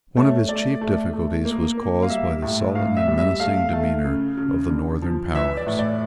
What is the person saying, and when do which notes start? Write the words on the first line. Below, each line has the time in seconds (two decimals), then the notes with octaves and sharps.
One of his chief difficulties was caused by the sullen and menacing demeanour of the Northern powers.
0.17 A3 C#5
0.49 A3 D5
0.81 A3
1.13 A3
1.45 A#3
1.78 A#3
2.03 F5
2.10 G3 E5
2.42 A2
2.75 A2 F5
2.97 E5
3.08 G3
3.18 E5
3.40 A3 F5
3.73 A3
4.05 C#3
4.37 C#3
4.69 D3
5.02 F3
5.35 E3 E5
5.57 D5
5.67 A2
5.79 D5